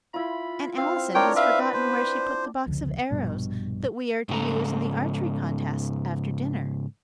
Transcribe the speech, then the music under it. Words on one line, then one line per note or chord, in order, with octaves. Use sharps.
Aunt Allison has forgotten where she put the box of arrows that we are to use in the archery contest after dinner.
E4 F4 B5
C4 F5
C4 D4 A#4 C#5 G5 C6
B4 E5 F5
C5
F1 C#2 D3 F3
A#1 G2 B2
G#2 C#3 G4 A4 A#5